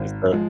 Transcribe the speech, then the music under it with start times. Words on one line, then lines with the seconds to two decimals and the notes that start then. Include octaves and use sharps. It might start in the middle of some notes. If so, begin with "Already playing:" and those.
is that
Already playing: G#1
0.32 F3 G#3